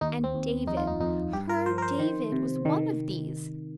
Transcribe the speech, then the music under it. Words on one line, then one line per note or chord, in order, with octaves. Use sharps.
And David--her David--was one of these!
D#2 D#4
C4
D#2
F2 D#4
F4
D#4
F2 D#4
G2 G4
A#4
F3 C5
A#4
C5
D#3
C3
D#3